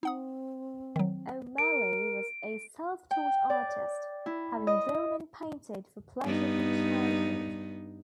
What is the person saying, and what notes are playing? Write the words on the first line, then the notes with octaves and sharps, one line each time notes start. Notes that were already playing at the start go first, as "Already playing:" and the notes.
O'Malley was a self-taught artist, having drawn and painted for pleasure from childhood.
C4 D#4 F#5 D#6
D#3 F#3
A#4 D7
G5
D5
E4
D#5
G2 B3 D#4